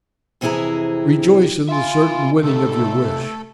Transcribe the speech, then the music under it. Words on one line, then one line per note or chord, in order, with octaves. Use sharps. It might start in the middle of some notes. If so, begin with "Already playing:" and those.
Rejoice in the certain winning of your wish!
F2 C3 E3 E4 G#4 A#5
F4 E5 G#5
C3 A3 D#4 A4